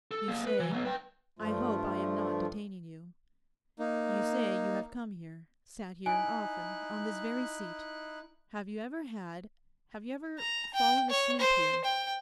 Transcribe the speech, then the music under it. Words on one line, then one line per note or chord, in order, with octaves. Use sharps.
'You say--I hope I am not detaining you--you say you have come here, sat here often, on this very seat; have you ever had--have you ever fallen asleep here?'
A4
A#3 G#4
B4
E3
F#3 B3
B4 G5
G2 F3 A3 F4
A#3 D#4
D#4 E4 G#5 F#6
A#5
G5
C#5
C5
G5